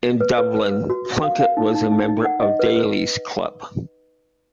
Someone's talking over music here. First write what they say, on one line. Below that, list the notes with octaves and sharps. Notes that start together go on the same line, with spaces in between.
In Dublin, Plunket was a member of Daly's Club.
B4
B4
B4
B4
F#4
F#4
F5
F5
D#4
D#4
D#4
D#4
F#5
D#5
B4
B4